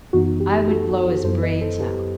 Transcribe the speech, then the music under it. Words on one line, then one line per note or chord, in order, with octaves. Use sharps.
'I would blow his brains out.'
F#2 E3 B3 D#4 F#4
G4
F#4 A4
F#2 F#3 B3 E4 A4 C5
B4 D#5
A4 C5
G4 B4